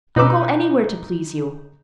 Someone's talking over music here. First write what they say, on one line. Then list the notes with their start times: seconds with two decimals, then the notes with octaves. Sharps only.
I'll go anywhere to please you.
0.16 B2 D#4 B4 D6 E6